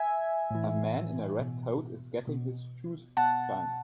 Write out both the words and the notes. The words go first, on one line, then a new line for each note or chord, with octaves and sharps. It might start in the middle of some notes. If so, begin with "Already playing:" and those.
A man in a red coat is getting his shoes shined.
Already playing: E5 G#5
A2 E3
B2
B2
B2 F#5 A5